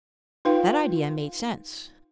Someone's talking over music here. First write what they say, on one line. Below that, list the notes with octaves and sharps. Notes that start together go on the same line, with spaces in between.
That idea made sense.
D#4 F4 B4 F5 G5